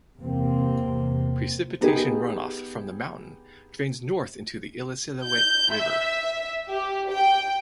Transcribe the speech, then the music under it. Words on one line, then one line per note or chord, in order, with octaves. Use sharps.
Precipitation runoff from the mountain drains north into the Illecillewaet River.
E2 C3 A#3 C4
B3 D#4 G4 G#4
G6
E5
G4
G5